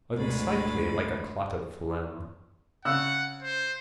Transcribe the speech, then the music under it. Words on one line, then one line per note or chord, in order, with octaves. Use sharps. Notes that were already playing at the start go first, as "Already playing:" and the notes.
Unsightly like a clot of phlegm.
D2 G#2 B2 G#4 B5 A6
C#3 F#5 E6 F#6
C5